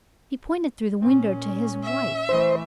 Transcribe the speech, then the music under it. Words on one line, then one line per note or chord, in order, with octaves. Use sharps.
He pointed through the window to his wife.
A#2 C#4
E5
E3 A3 C5